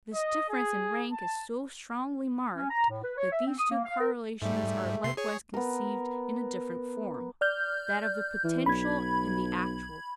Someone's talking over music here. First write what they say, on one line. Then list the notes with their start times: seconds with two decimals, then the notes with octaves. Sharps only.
This difference in rank is so strongly marked, that these two correlations are likewise conceived in a different form--that of the potential and the actual.
0.13 D#5
0.49 G#4
1.12 A5
2.55 C#4
2.70 A#5
2.89 A2
3.03 B4
3.18 C#5
3.32 E5
3.46 C4
3.58 D#6
3.71 A#3
3.85 F5
4.00 A#4
4.42 G#2 G3 A3
5.04 C3 C6 C7
5.17 G#4 C#5
5.54 B3 A#4
7.41 D5 F6 G6
8.44 E3
8.66 B1 B5 G#6